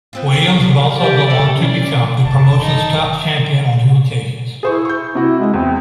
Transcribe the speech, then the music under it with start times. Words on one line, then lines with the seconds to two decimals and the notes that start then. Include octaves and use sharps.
Williams would also go on to become the promotion's top champion on two occasions.
0.13 B3 C4 F4
0.62 F3 G3
0.98 G4 D5
1.30 A#2 A4 A#4 C#5
1.58 C#4 D5
2.25 F#1 A5
2.61 D#4
4.63 E4 G#4 C5 C#6
4.85 C#6 G6
5.15 C3 E4 F#4
5.39 G#3
5.54 E2 C4